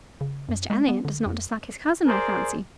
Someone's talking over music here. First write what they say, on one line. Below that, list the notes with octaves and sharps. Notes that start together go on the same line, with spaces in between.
"Mr Elliot does not dislike his cousin, I fancy?"
C#3
F#2
G#3
B3
D3
F2
G#4 A#4 C5 D5